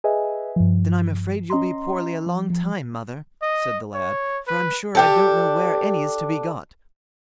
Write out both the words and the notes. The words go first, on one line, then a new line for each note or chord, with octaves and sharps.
'Then I'm afraid you'll be poorly a long time, mother', said the lad, 'for I'm sure I don't know where any is to be got.'
G#4 B4 D#5 E5 G#5
G2 F3
C#4 D#5 A#5 C6
F3
F3
D#5
C#5
B4
D4 G4 A4